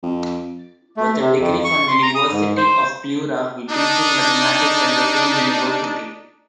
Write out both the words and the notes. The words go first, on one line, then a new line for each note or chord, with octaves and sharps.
With a degree from the University of Piura, he teaches mathematics at the same university.
F2
A3
C3
F2
C#6
C6
A#5
D#6
G#2
C5
D4 D#4